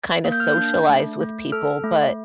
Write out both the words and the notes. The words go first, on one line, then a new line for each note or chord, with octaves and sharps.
kind of socialize with people, but
A#3
G6
F6
G6
D4
A3
A3
A4 F6
A3